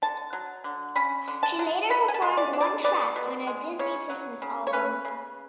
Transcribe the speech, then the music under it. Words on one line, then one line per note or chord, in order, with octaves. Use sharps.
She later performed one track on a Disney Christmas album.
D3 A5
F#3
D3
C#4 B5
D3
A5
F#3
B2 B5
G#5
A5
G#3
D5
D4
D5
B3 D5
B2
G#3
C#3 C#5
F#3
C#3
C#5
C#4 B4
C#3